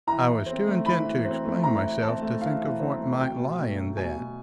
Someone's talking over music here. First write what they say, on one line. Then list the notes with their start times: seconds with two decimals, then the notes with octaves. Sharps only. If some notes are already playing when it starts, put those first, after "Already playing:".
I was too intent to explain myself to think of what might lie in that.
0.07 E3 A#5
0.27 E3
0.46 C4
0.66 A3
0.85 E3 B5
1.05 E3
1.25 C4
1.44 A3
1.63 E3 A#5
1.83 E3
2.02 C4 A5
2.21 A3
2.41 E3 F5
2.61 E3
2.80 C4
2.99 A3
3.19 B2 G5
3.38 B2
3.58 A3
3.78 F#3
3.97 B2 G#5
4.17 B2